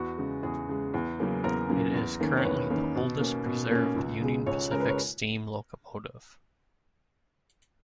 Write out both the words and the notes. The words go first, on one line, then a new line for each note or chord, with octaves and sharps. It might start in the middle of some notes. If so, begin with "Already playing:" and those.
It is currently the oldest preserved Union Pacific steam locomotive.
Already playing: E2 F#4
C#3 G#3
E2 G#4
C#3 G#3
E2
C#3 F#3 A#3 C#4
E2 A#4
C#3 F#3 A#3 C#4
E2
D#3 A#3 C#4
C#5
E2 B4
D#3 A#3 C#4
B2
A#3 C#4
B2
A#3 C#4
C#2
C#3 G#3
C#2 C#5
C#3 G#3 A#4
B4
C#5